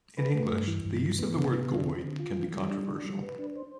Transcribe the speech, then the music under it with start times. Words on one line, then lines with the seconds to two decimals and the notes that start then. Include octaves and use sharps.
In English, the use of the word "goy" can be controversial.
0.17 B4
0.35 A3
0.52 G2
0.68 E3
0.85 G2
1.02 E3
1.19 B3
1.35 C3
1.53 B3
1.69 D3
1.86 C4
2.04 D3
2.20 F4
2.38 E3
2.54 G3
2.71 D4
2.87 D4
3.05 G3
3.22 B4
3.39 D4
3.55 C5